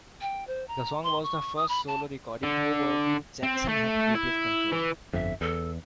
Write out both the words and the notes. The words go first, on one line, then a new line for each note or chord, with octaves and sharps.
The song was the first solo recording over which Jackson had creative control.
G5
C5
A#5
C6
C#6
D#6
B5
A5
D3
C4
A3
E4
E3
G1 F2 E5
E2 A4